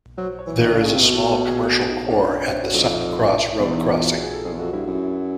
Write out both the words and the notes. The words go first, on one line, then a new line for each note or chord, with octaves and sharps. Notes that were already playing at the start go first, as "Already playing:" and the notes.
There is a small commercial core at the Sutton Cross road crossing.
F#3 C5
C#5
E3
D#3 D5
D3
F5
C#3
F5
C3
B2 D#5
A4
A#4
A4
G#4
A4
G#4
G4
D#4
C#4
D4
C#4
D4
C4
C#4
F#4
F2 D#4
D#4
E2 D4
D#4
E4
F4
F#4
G#4
G#4
A4
F2 G#4
E2
F2 F#4
G2 E4
F#2